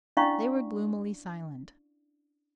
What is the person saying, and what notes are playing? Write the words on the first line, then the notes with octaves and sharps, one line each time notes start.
They were gloomily silent.
C#4 D4 E4 D5 F5 C#6